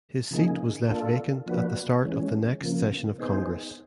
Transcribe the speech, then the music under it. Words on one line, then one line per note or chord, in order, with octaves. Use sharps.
His seat was left vacant at the start of the next session of Congress.
C#3 F3 A#3 D#4 G#4
A#3 D4 F4 A4
F3 A#3 D4 F#4 B4
E3 G#3 C#4
C#3 F3 A#3
B3 D#4 G#4 C5